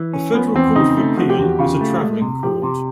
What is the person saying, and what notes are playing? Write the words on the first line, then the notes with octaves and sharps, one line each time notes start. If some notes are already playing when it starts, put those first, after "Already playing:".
The Federal Court of Appeal is a traveling Court.
Already playing: E3
C#4
F3 B3
E2 C4
C#3 D#4
A3
F3 F#4
G4
E2 F#4
C#3 F4
A3
G#3
C3
F3 G4
C3